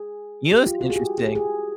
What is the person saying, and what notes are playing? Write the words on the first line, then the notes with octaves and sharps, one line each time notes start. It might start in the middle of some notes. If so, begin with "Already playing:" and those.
You know what's interesting?
Already playing: G#4
G4
F4
F#4
G#4
G4
G#4
G4
G#4